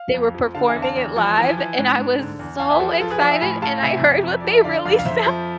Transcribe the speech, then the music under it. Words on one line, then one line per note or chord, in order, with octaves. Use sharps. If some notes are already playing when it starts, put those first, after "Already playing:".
they were performing it live and I was so excited and I heard what they really sounded
Already playing: F5
F2
F3
D3 F5 A5
E5 G#5
E2
F5 A5
E2
F3
E3
E3
G#2
G#2
D3
E2
E2 F5 A5
E5 G#5
F3 A4 C5
G#4 B4
F3 F4 A4
G#4 B4
F3 D5 F5
E5 G#5
A2 G#5 B5
A2 F5 A5
F5
C3 E5 G#5
F2
F2
F3 D5
E5
D3 D5 F5
F2 D5 F5
F5
F2 C5 E5
F3